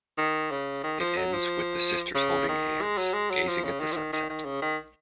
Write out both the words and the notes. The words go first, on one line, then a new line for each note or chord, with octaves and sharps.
It ends with the sisters holding hands, gazing at the sunset.
D#3
C#3
D#3
F3
F#3
F3
C#3
D#3
G#3
F#3
G#3
F#3
F3
C#3
D#3
F3
D#3
D#3
D#3
C#3
D#3